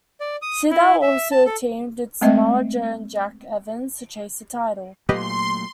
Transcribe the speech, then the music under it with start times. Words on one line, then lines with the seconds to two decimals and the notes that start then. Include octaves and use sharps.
Sydal also teamed with Samoa Joe and Jack Evans to chase the title.
0.20 D5
0.42 D#6
0.70 E4
1.02 E5
1.31 A5
1.46 A4
2.21 G#3 A3 C4 D#5 E5
5.09 A#2 F#3 A3 G4 B4 D#5 C6